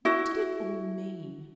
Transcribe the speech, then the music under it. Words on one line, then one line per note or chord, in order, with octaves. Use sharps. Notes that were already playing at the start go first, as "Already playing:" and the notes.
What did it all mean?
E4 F#4